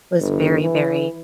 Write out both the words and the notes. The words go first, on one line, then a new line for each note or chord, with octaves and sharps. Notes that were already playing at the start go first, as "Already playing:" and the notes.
was very, very
G1
E3